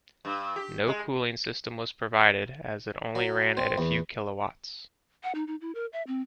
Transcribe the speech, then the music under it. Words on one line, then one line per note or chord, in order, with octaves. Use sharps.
No cooling system was provided as it only ran at a few kilowatts.
G2
G4
G#3
F#3
C4
E2
F#5
D#4
D#4
E4
A#4
E5
C4